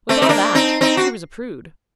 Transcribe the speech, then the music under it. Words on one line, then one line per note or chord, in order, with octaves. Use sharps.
With all that she was a prude.
A3 C4
C4
A#3 D4
C4 D#4
C4 D#4
F#4